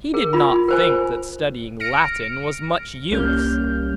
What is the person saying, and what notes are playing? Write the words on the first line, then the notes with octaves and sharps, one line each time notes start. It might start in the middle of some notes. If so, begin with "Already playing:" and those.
He did not think that studying Latin was much use.
G#4 A#4
F4 B5
A#4 C5 G#5
F6 A#6 C#7 D7
C2 G3 A#3 C#4 F6 G6